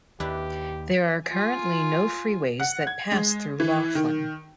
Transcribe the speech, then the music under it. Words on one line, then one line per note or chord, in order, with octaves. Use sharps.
There are currently no freeways that pass through Laughlin.
D#2 D4 E4 G4 B4
F4 G#5
F#5
G#6
G#3
E3
D#3